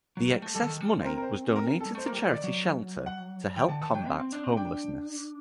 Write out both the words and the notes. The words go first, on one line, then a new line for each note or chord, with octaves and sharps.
The excess money was donated to charity Shelter to help combat homelessness.
F#3
G3
A3
G3 A4
D3
D#3
G3
C5
C4 A#4
A#4
C5
A#4
A4
G3
A3 C5
A#3 A#4
G3
A3
D#3 D5
F#3
F#5
D#3 G5
D3 A5
D#3 A5
F#3 G5
C4
C4
D4
C4
D4 G5